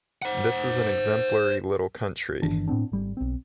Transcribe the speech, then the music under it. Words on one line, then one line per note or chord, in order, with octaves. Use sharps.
This is an exemplary little country.
C5 F#5
G1 D#3 E3 D4
A2 B3 C4 D4
G#1 G3
B1 C4